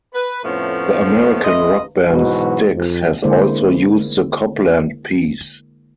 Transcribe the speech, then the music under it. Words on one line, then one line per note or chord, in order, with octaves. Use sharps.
The American rock band Styx has also used the Copland piece.
B4
F2 A2 F3 A3 B3 C#4
A3 F4 B4 D#5
G#2 B2 E3 F#3 F#4 B4
F2
D3 G#3 A#3 E4 C5 D5